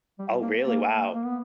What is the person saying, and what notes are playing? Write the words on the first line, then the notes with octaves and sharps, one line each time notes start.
Oh really? Wow.
G3
A#3
A#3
A#3
B3